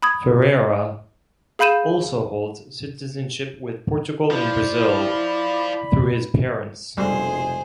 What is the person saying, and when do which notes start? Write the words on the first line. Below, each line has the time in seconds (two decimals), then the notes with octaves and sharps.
Ferreira also holds citizenship with Portugal and Brazil through his parents.
0.02 B5 D#6 G#6
1.59 G#4 F5 B5 G6 D#7 E7
4.31 F3 E4 D5 B5
6.97 F1 B2 D3 G3 G#3 F#4 G#4 C5